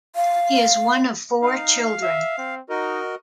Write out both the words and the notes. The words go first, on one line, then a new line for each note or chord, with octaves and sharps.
He is one of four children.
F5
D#4 F5
E5
C4
D#4 F#4 A#4 D#5